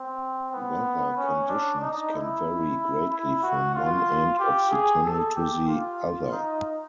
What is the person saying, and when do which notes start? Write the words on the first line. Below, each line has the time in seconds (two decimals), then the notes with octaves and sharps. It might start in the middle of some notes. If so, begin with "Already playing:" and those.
Weather conditions can vary greatly from one end of the tunnel to the other.
Already playing: C4
0.53 B3
1.17 C#4
1.49 D4
1.81 D#4
2.14 E4
3.10 E4
3.43 F#4
3.75 F4
4.39 G4
4.71 G#4
5.03 A4
5.36 G4
5.68 F4
6.32 D#4